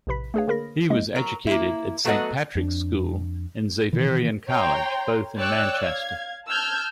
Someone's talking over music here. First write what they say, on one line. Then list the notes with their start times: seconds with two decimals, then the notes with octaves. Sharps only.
He was educated at Saint Patrick's School and Xaverian College, both in Manchester.
0.07 A#1 A2 C3 B4 B5 B6
0.34 A3 D4 G#4 B4 C#5 F5
0.47 D3 A#3 G#4 A#4 B5 A#6
0.90 F3 G#3 A#3 E4 D#5
1.15 F#3 A#4
1.47 A#3 E4
2.05 F#3 A3 B3 F#4 D#5 F#5
2.55 F2 D4
3.93 B2 D#3 E3
4.48 C#5 G5 A#5 C6
5.39 C#5 D5 G5 E6 F#6
5.81 F5 G#6
6.49 A5 E6 F6 G6 G#6